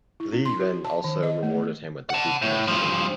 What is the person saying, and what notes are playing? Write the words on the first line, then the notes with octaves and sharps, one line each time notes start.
Li Yuan also rewarded him with the Dukedom of Xing.
E4
C#4
C6
F#4
A5
D#3
D#5
A3
F#5 A5
A2
G2 F3